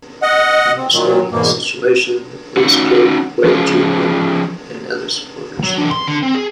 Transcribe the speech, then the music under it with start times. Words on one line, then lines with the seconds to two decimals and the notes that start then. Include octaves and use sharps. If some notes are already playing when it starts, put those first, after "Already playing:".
Understanding the situation, the police gave way to him and other supporters.
0.22 D#5 F#5
0.77 C4
0.93 A#2 D#3 F#3
1.32 E2 G#2 B2 A#3
2.57 C#4 D#4 F#4 F#5
3.44 F3 C#4 F4 G#4
5.63 F#3
5.78 E3 D4
5.91 C6
6.08 D3
6.23 C4
6.35 G#4